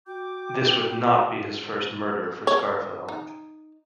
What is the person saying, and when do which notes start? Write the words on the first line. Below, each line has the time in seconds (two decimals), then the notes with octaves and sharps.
This would not be his first murder for Scarfo.
0.07 F#4 G5 D6 G6
2.47 C#5
3.09 D#4